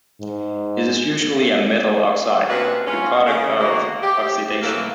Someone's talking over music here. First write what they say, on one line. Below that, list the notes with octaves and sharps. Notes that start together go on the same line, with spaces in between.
It is usually a metal oxide, the product of oxidation.
G#2
C3 A#3 C#4 D4 F#4 B4
G#2 C#4 F4
C#3
D3 D#3 A#3 B3 F#4
G4
B2 E3 F#3 A3 A#3